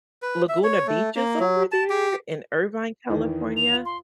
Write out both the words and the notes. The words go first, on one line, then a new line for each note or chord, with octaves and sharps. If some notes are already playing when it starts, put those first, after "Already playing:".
Laguna Beach is over there in Irvine, California.
B4
E5
C#5
A3
A#3
F#3
A5
G4
E2 D#3 E3
F7
F4
C6